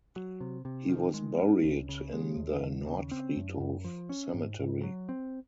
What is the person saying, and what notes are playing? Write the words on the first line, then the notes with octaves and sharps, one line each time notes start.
He was buried in the Nordfriedhof cemetery.
F#3
C3
C3
D#3
G#3
C#4
C#2
C#3
G#3
D#2
D#2
C#3
C4
F#2
F#2
F3
C#4
G#2
G#2
F#3
C4